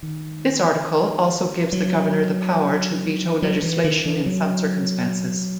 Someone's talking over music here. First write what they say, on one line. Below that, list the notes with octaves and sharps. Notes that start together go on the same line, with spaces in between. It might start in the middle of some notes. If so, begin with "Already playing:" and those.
This article also gives the governor the power to veto legislation in some circumstances.
D#3
F#3
F#3
E3
D#3
E3
F#3